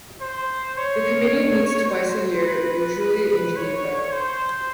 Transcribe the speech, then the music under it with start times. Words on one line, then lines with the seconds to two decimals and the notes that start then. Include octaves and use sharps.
The Committee meets twice a year, usually in Geneva.
0.21 C5
0.77 C#5
1.88 C5
2.45 B4
3.00 B4
3.56 C#5
4.12 C5